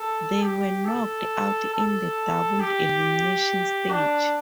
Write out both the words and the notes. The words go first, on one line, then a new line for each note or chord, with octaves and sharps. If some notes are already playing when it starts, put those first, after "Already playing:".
They were knocked out in the double elimination stage.
Already playing: A4
G4
A4
A4
G4
D4